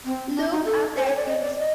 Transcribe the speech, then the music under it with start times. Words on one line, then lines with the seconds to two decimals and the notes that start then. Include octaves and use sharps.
Look after things.
0.05 C4
0.35 D4
0.50 D#4
0.66 A4
0.96 C5
1.06 C#5
1.16 D5
1.27 D#5
1.41 D5
1.57 D#5